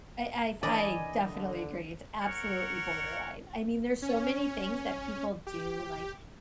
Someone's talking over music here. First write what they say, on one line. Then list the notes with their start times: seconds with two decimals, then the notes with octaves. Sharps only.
I I I definitely agree, it's absolutely borderline. I mean, there's so many things that people do, like,
0.63 E3 A#3 D4 D5 D#5 G#5
1.26 D3
2.23 A#4 C#5 F#5
4.02 C#4
5.47 G4